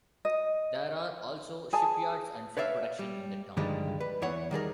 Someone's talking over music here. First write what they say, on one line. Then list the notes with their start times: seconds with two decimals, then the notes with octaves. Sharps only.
There are also shipyards and food production in the town.
0.25 D#5
1.73 G#4 G#5 A5
2.57 B4 C#5 D5 E5 F5
2.99 G3
3.57 G2 D3 D#3 F3 G3 G#3
4.00 B4
4.22 E2 E3 C#5 F#5
4.51 D#3 G3 G#4 A#4